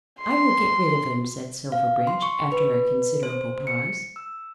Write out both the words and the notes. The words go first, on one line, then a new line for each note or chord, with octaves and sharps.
"I will get rid of him," said Silverbridge, after a considerable pause.
C6
F5
C6
C#6
B4
C5
C#7
E6